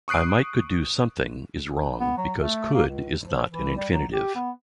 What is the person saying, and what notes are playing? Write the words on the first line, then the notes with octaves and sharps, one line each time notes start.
"I might could do something" is wrong because "could" is not an infinitive.
C#6 D#6 F#6 C7 D7
B3
F#3
A3
A#3
C#2
F3
E3
G3
F#3
G4
B3